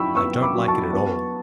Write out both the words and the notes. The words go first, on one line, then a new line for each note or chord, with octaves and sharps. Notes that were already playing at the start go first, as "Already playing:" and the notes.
I don't like it at all.
Already playing: F#3 E4 G5 B5 C#6 E6
B3 C#6 E6
B5 D6
F#3
A5 C#6
B3